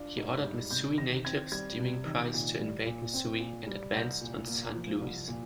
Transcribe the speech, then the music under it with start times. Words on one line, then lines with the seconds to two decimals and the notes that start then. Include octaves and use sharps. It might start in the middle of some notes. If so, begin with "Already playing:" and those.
He ordered Missouri-native Sterling Price to invade Missouri and advance on Saint Louis.
Already playing: D4 F4
0.17 G#2
0.44 G3
0.71 C3 G6
0.98 D#3 A#6
1.25 C4 G#6
1.52 G3 G#6
1.79 C3
2.05 D#3
2.33 A#2
2.59 G3
2.86 A#2
3.13 C4
3.40 A#2
3.67 G3
3.94 C2 G6
4.21 A#2
4.48 A#3
4.74 F3
5.01 C2
5.28 A#2